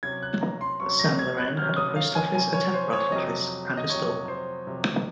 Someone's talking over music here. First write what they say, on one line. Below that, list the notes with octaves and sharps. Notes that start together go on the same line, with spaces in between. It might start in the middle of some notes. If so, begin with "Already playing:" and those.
Saint Laurent had a post office, a telegraph office and a store.
C3 F#3 C#4 G#6
F#6
A#5
C6
C3 F#3 C#4 C#6
A#6
G#6
F#6
C3 F#3 C#4 F6
D#6
F5
G#5
C3 F#3 C#4 G#5
C#5
C5
C#5
F2 C3 F#3 D#5
D#5
F2 C3 F#3 C#5
C5
F2 C3 F#3